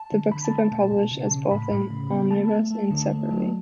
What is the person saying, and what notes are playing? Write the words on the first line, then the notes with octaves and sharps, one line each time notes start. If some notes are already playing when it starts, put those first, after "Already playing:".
The books have been published as both an omnibus and separately.
Already playing: A5
D3
D3 B5
A5
A3
A5
B2
B2
C#3
C#3
A2 B5
A2
C#3
B3
A3 A5
A3
A3
D3
A3
F#3